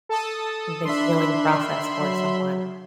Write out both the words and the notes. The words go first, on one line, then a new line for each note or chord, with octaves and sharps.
the healing process for someone.
A4 A5 D#6
D4 E5 B5 C6
F#3